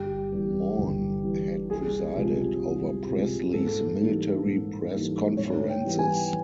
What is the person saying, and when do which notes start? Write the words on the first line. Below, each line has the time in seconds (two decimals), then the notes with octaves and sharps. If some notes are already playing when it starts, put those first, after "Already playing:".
Mawn had presided over Presley's military press conferences.
Already playing: G1 G4
0.32 G2 E3 G3
0.78 G1
1.23 G2 E3 G3
1.70 C2 G#4
2.16 C3 F3 G#3
2.61 C2
3.07 C3 F3 G#3
3.54 G#2 A4
4.00 E3 G3 A#3 D#4
4.46 G#2
4.92 E3 G3 A#3 D#4
5.37 G#2 C#5
5.69 G5
5.84 E3 G3 B3
5.99 G#5